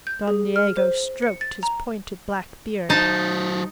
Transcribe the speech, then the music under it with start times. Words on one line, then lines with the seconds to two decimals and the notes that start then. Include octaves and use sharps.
Don Diego stroked his pointed black beard.
0.07 G6
0.28 G#4
0.56 F6
0.77 C5
1.22 C#7
1.41 A6
1.63 A#5
2.90 F#3 D#4 C5 A5